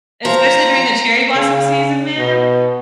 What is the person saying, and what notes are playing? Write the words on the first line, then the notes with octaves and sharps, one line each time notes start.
Especially during the cherry blossom season, man.
F3 A#5
C#3
B2